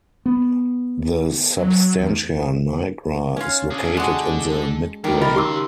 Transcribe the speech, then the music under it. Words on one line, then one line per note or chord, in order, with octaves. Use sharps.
The substantia nigra is located in the midbrain.
B3
F#3
E2
C#4 F4
D4 G#4
G#3 F#4 A4 D5
D#3 G#3 D5
G3 F4 A#4 D#5
C#3 G4 C6 D6 E6